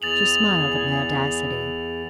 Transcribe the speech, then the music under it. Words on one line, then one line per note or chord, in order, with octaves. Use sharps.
She smiled at my audacity.
E2 G#4 A6 F7 F#7